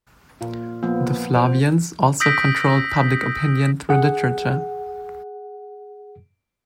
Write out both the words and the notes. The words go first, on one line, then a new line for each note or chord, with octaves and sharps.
The Flavians also controlled public opinion through literature.
A#2 F4
F3 A#3 B3
C5
D#6 E6 G6 A#6 B6 D7
G#4 F#5